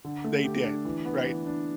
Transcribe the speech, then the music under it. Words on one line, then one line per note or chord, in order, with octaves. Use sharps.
they did, right?
D3
A3
G4
D4
E3
B3
E3
D4